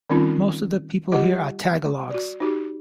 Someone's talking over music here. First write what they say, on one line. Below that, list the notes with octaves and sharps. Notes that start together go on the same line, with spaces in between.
Most of the people here are Tagalogs.
D#3 G3 C4 C#4 D#4 F4
G3 F4 G4 D#5 F#5
F#4 D5
D#4 F#4 G4